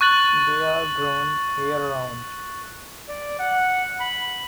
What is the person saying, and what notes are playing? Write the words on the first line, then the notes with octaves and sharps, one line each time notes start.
They are grown year-round.
C#6 F#6 A6 F#7
D5
F#5
B5